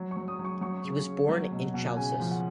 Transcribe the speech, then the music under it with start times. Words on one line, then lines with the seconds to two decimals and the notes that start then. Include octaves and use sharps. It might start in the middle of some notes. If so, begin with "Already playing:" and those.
He was born in Chalcis.
Already playing: F#3
0.11 C#6
0.17 F#3
0.28 D#6
0.39 F#3
0.45 C#6
0.61 F#3 C#6
0.84 C#3
1.07 C#3
1.29 F#3
1.52 B2
1.74 B2
1.97 C#3 G#5
2.20 F3
2.31 F#5